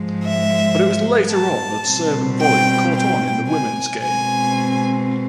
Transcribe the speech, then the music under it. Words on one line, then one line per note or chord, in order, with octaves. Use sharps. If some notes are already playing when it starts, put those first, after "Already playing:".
But it was later on that serve and volley caught on in women's game.
Already playing: G#2 F3 G#3
E5
A5
B2 G3 C4
G5
G5
G#5
B2 G#3 C4 G#5